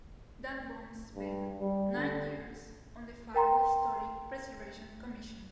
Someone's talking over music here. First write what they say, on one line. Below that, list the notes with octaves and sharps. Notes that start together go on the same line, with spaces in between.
Danbom spent nine years on the Fargo Historic Preservation Commission.
G2
G3
D3
A#4 G5 A#5 C6